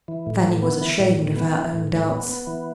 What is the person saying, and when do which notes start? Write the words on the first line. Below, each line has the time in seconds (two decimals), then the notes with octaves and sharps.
Fanny was ashamed of her own doubts.
0.08 E3
0.27 A2
0.45 A2
0.62 B3
0.81 E3
0.99 A2
1.18 A2
1.36 B3
1.55 E3
1.73 A2
1.93 A2
2.11 B3
2.29 B3
2.47 E3